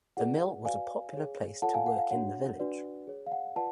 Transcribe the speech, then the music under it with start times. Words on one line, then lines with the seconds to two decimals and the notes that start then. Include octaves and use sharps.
The mill was a popular place to work in the village.
0.17 F4 G#4 B4 D5 F#5
0.65 F#4 B4 D5 F5 G#5
1.13 G#4 C#5
1.62 F4 A4 C#5 F#5 A5
1.74 F5 G#5
1.86 F#5
1.98 F5
2.11 D4 F#4 C#5 F#5
2.59 D4 F#4 B4 D5
3.07 G#4 C#5
3.26 F5
3.32 F#5
3.56 F4 B4 D5 F#5 A5